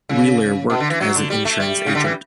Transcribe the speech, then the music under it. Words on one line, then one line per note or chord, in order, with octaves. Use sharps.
Wheeler worked as an insurance agent.
C#3
B2
D3
E3
F#3
D3
G3
A3
G3
C#3
D3
E3